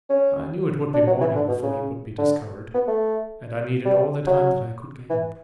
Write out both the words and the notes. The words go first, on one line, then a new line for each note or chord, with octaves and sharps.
I knew it would be morning before he would be discovered, and I needed all the time that I could gain.
C#4
D4
F#3
E3
D3
B2
C#3
D3
B3
A3
G3
F#3
E3